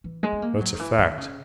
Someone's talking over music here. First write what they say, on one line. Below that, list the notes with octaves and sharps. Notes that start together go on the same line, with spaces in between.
"That's a fact?"
E3
G#3
B3
A#3
F#3
D#3
E3
D#3
C#3